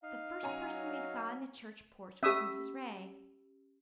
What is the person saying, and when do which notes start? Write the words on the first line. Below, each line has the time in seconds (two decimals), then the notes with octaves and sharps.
The first person we saw in the church porch was Mrs. Ray.
0.03 D#4 F5
0.43 F#3 C#4 G#5 A#5
2.23 C#4 G4 E5 D#6